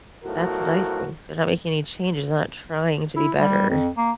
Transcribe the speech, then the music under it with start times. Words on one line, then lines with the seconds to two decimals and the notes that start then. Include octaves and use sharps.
That's what I think. They're not making any changes, they're not trying to be better.
0.24 B1 A2 F3 F#4 A#4
3.16 E4
3.37 G3
3.69 F2
3.97 A#3